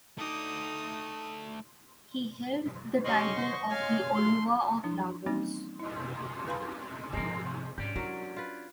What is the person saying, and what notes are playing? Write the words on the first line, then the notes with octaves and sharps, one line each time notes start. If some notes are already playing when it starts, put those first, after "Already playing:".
He held the title of the Oluwa of Lagos.
A3 D#4 D5 D#6
C#4 G4 D#5 C6 C#6
C5 F#5
C#5 F5 G#5
C6
F3 D4 E4
E3 G3 A#3 C4 C#4 D#4
E4 D#5
B4 F5 G#5 B5 C6
G#2 F3 G#3 C4 A#4
C3
G#2 C#4 D4 G4
F#3 E4 A#4
F4 B4